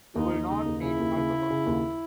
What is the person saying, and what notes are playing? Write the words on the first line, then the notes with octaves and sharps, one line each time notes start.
You will not need alcohol.
D#2 D#4
D#2
C#3 D#4
D#2
C#3 E4
D#2
C#3
C#3
C#3
D#2